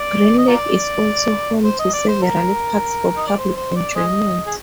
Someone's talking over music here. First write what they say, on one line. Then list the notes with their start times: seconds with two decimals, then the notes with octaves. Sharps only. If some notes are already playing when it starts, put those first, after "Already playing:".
Green Lake is also home to several parks for public enjoyment.
Already playing: D5
0.38 D#5
0.48 F4 A#4 D5
1.65 C5
1.79 D#5
1.93 D5
2.08 C5
2.23 A#4
3.17 D#5
3.28 D5
3.39 C5
3.57 C5
3.76 D5
3.96 G#4 C5 D#5
4.47 G#4